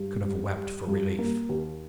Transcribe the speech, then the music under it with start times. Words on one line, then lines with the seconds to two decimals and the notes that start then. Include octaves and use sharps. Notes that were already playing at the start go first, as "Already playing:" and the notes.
I could have wept for relief.
Already playing: G2
0.23 G3
0.56 G3
0.87 G2
1.18 A#3
1.49 D#2